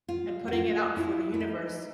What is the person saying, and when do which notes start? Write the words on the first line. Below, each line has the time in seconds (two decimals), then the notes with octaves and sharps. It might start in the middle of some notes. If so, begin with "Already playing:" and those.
and putting it out for the universe.
0.08 F4
0.48 F#4
0.53 F4
0.97 E4
1.34 E4
1.40 D#4